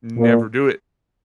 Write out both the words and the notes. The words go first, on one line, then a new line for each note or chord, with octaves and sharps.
never do it.
A#2